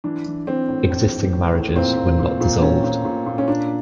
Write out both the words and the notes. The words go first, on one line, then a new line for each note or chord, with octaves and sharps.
Existing marriages were not dissolved.
E3 D4
E3
E3 C4
A2
A2
E3
A2
A2
A#2 C4
A#2
A#2
A#2
A#2 C#4
A#2
A#2
A#2
C#4
A#2 D4